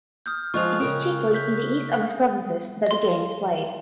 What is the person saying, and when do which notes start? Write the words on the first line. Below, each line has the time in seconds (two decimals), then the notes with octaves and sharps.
It is chiefly in the east of these provinces that the game is played.
0.26 D#6 F6 G6
0.54 F3 G#3 F4 C#6 F#6 F7
0.80 C#3 A#4 G5
1.34 G6 B6
2.86 D#5 C6